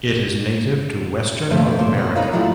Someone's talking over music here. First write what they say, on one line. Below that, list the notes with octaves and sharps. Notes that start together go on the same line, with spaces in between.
It is native to western North America.
G2 F3 A3 C5 E5 F5
G2
A3 A#3 C5
B2 B3
D#4 A#4 B4 C#5 D#5 F5
A#2 F#3 G3 A3 E4 F4